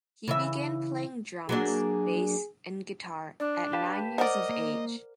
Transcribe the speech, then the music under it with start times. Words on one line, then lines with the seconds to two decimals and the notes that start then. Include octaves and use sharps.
He began playing drums, bass and guitar at nine years of age.
0.28 C#3 E3 E5
1.49 F#3 A#3 D4 G#4
3.40 D4 D5
3.73 G4 B4 F5 A5
4.18 A#4 C5 D5 D#5 F#5
4.49 A#3